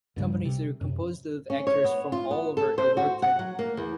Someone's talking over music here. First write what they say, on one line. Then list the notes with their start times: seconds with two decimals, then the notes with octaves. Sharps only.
Companies are composed of actors from all over Alberta.
0.16 C#2 G2 C#3 G3
0.45 C3
0.81 F#2 C3
1.50 C#4
1.67 C#5
1.84 B3
2.12 F4
2.31 B3
2.57 A4
2.78 C5
2.97 F#4
3.22 F#5
3.39 F#3
3.59 A#3
3.77 E2